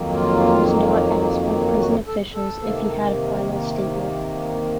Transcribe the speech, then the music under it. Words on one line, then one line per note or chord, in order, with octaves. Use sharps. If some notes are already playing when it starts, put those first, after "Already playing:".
He was not asked by prison officials if he had a final statement.
Already playing: F2 D#3 F#3 A#3
F4
F#4
A4
A4
C3 D#3 A#3